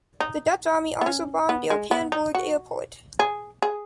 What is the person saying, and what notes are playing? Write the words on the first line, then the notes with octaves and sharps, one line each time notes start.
The Dutch army also bombed the Okanburg Airport.
D#4
B3
C#4
B3
G#3
B3
D#4
F#4
G#4
G#4